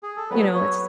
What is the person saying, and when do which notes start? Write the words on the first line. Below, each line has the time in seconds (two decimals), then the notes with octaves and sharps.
You know, it's
0.03 G#4
0.16 A4
0.30 F#3 B3 F#4 B4
0.54 C#5